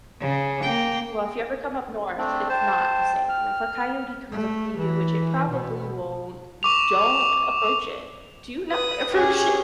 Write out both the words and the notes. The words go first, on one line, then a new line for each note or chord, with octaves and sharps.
Well, if you ever come up north, it's not the same. If a coyote comes up to you, which it probably won't, don't approach it. Do not approach it.
C#3
A#3 G5
A3 C4 D4
C5 G5 A5
F6
A3
E3
B2
C#6 D6 F7
B4 D#6
C#4 G4 G#4 C#5